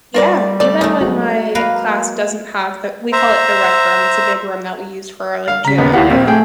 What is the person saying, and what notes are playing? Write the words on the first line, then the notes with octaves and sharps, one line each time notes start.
Yeah, even when my class doesn't have the we call it "the rec room", it's a big room that we use for our, like, gym area.
G3 F4 A#4 D5
A3 D5
A3 C#4 D#4
F#3 G#3 F#4
A#3 A#4 B4 F5
C5 E5 A#5
F5
C#3 A#5 B6
D#2 B3
D#2 E4 G4 F5 F#5
A#1 A#3 C4
A3 G#4 G5